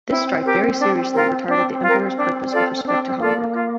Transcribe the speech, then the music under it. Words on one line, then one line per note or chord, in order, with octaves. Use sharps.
This strife very seriously retarded the emperor's purpose with respect to Hamburg.
C4 E4
G4 A#4
D4
F4 A#4
C4 D4
F4 A#4
D4
F4 A4 D5
C4 D4
A#3 F4 A4 D5
F4